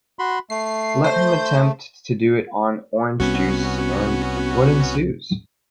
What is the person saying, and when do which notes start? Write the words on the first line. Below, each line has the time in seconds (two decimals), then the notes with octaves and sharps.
Let him attempt to do it on orange juice, and what ensues?
0.19 F#4 B5 C6
0.50 A3 C7
1.04 C5
3.20 C2 B3 C#4 F#4